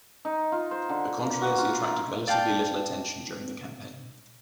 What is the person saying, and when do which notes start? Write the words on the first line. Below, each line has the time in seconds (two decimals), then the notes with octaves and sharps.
The controversy attracted relatively little attention during the campaign.
0.25 D#4
0.52 F4
0.71 C5
0.89 D3
1.25 A#3
1.42 F#4
1.58 F4
1.85 A#4
2.28 D5 F5 G5 A5